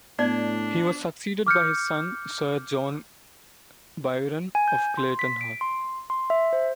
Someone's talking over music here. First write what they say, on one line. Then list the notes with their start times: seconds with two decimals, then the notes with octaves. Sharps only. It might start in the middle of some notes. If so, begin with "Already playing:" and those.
He was succeeded by his son Sir John Byron of Clayton Hall.
0.19 A2 B3 D4 D5
1.47 D6 F6 G6 C#7
4.55 G#5
4.68 G6
4.97 C6
5.19 B6
5.41 D7
5.61 C6
6.10 C6
6.30 E5
6.53 C5